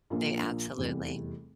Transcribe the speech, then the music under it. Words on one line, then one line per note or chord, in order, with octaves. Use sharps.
They Absolutely
A#1 A#2 F3 A#3 D4
F1 E2 C3 G3